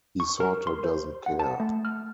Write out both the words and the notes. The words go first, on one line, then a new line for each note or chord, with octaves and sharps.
He sorta doesn't care.
C#6
A#4
C6
C5
F#5
A5
A3
F6